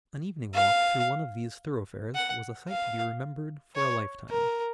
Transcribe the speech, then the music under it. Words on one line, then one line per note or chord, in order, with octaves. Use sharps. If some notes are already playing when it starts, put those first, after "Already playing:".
An evening walk through one of these thoroughfares was a sight to be remembered for a lifetime.
F5
F#5
F5
C#5
A#4